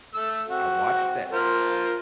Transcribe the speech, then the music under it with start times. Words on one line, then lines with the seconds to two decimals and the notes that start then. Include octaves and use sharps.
I watched that
0.15 A3 E6
0.49 C4 F#4
1.32 F4 A#4 C5